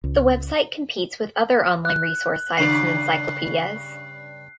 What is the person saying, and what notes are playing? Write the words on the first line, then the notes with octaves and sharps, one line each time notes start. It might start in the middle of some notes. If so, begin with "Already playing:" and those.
The website competes with other online resource sites and encyclopedias.
C#2
F#6
G2 C#3 D5 C7